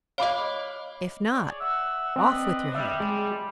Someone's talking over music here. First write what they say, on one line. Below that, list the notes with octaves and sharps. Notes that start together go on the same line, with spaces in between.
If not, off with your head.'
C#5 D#5 F5 B5 D6
G#4 C#5 D5
E5 F#5 E6
C4 D4 B4 D#5
G3 E5
G#3